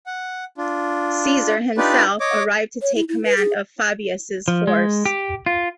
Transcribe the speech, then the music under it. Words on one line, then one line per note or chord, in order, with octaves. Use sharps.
Caesar himself arrived to take command of Fabius' force.
F#5
D4 F4
D4 D#4 F4 G4 B4 D5
C#5 D#5 D6
C#5
E4
E4
B4
G#4
F3
G#3
G4
F4